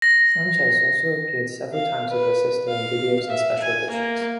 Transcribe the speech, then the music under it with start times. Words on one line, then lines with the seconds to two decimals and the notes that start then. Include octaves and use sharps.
Sanches also appeared several times with her sister in videos and Special Editions.
0.02 A#6
1.73 F5
2.10 B4
2.68 F5
3.30 E5
3.62 G#5
3.90 A#3